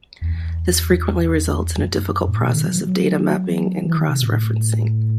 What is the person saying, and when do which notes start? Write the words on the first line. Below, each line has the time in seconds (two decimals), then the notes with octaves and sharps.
This frequently results in a difficult process of data mapping and cross-referencing.
0.22 E2
1.77 F#2
2.28 A2
2.42 B2
2.53 D#3
2.67 F#3
2.80 F#3
3.84 E3
3.96 D#3
4.09 C3
4.22 A2